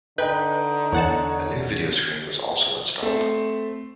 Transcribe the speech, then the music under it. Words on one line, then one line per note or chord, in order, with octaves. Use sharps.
A new video screen was also installed.
D3 D#4 B4 D#5 G5 G6
E2 C#5 F#5 A5
A3 C4